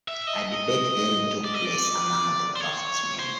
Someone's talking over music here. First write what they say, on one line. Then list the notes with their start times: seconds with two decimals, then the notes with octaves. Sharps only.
A debate then took place among the craftsmen.
0.08 E5
0.27 D#5
1.44 D5
1.54 D#5
1.65 D5
2.56 C5
2.60 C#5
3.19 C5